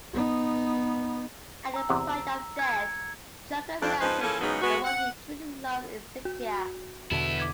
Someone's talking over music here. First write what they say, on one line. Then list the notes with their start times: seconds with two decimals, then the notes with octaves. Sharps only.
At the point of death, Joker realises the one he truly loves is Zixia.
0.13 B3 D#4
1.74 A#5 E6
1.89 E2 C3 F#5
2.56 G#6 C#7
3.80 F2 D4
4.01 G#2 F3 D#4 B4 C5
4.21 E3 F3 A#3 C#4 G#4 A4
4.41 E2 G#2 C#3 F#3 B3 D#4
4.61 G#3 B3 F#4
4.84 F#5
6.25 F#4
7.11 E2 B2 D3 B3 E4
7.38 D6 G#6 B6